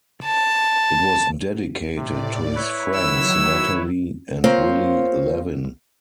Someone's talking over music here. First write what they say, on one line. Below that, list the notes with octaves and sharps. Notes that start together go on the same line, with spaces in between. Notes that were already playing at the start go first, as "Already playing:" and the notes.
It was dedicated to his friends Natalie and Willy Levin.
A5
A2 C3 D5
E4 B4 C#5
D#3 F#3 E6
A#3 C4 F4 C5 C#5